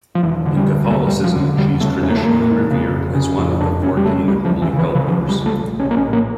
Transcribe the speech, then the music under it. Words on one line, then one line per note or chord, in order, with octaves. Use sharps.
In Catholicism she is traditionally revered as one of the Fourteen Holy Helpers.
F3
E1 E3
D3
G3
D2
G3
E1 A3
G3
E1
F3
D3
E1 G3
C#3 A3
E2 C#4
A#3
A3
E1 A#3
E1
C#3
F1
C#3
F2
F1 D4
F1 C#4
G3
C#3 A3
C#2 G3
F3
C#2
E3
C#3
E3
C#3 E3
E3
F3
C#2
G3
C#2
A3
A#1
C#4
A#1
A#3
C#4
A2
A#3